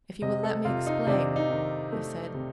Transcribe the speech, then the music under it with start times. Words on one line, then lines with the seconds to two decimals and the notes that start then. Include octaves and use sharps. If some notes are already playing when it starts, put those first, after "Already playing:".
"If you will let me explain," he said.
0.22 C3 D#5
0.43 A4
0.65 C3 F4
0.87 D#4
1.07 C3 D4
1.36 D#4
1.50 D#3
1.92 A3
2.34 C3